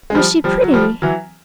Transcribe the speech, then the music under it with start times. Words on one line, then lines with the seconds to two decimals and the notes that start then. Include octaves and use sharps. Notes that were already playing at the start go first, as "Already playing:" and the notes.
"Was she pretty?"
0.10 G#3
0.15 F3 G3
0.44 F3 G3
0.62 F#3
0.74 F3 G3
1.02 E3 F#3